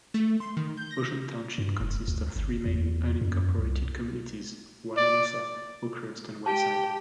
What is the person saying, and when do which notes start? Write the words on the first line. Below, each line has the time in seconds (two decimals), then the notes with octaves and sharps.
Ocean Township consists of three main unincorporated communities: Wanamassa, Oakhurst and Wayside.
0.14 A3
0.40 C6
0.57 D#3
0.77 G6
0.91 A#6
1.58 G2
1.81 F1
2.08 D2
2.36 G1
2.66 E2
3.21 F#2
3.58 C2
4.97 D5
6.46 G4 G5 A5